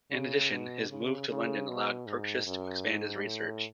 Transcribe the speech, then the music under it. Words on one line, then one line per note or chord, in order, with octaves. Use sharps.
In addition, his move to London allowed Purchas to expand his research.
C#3
B2
C#3
C#3
B2
G#2
F#2
G#2
A2